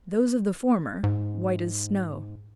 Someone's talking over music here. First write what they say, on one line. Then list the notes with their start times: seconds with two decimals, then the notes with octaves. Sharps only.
Those of the former white as Snow.
1.04 G#2